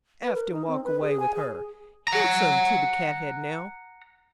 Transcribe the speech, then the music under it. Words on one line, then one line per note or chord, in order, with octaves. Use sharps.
Aft and walk away with her! Handsome to the cathead, now!
B4
A#4
D#4
C4
B4
G#4
G#5
G#4
F#5 A#5